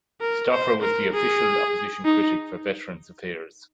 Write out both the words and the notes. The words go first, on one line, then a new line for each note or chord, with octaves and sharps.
Stoffer was the Official Opposition Critic for Veterans' Affairs.
A#4
C5
A#4
G#4
D#4